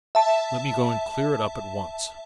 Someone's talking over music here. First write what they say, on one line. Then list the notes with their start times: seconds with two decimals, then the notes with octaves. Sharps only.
Let me go and clear it up at once.
0.15 E5 A5